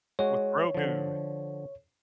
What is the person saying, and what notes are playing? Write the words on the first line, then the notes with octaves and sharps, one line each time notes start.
With Grogu.
G#3 F#4 C#5
D3 F3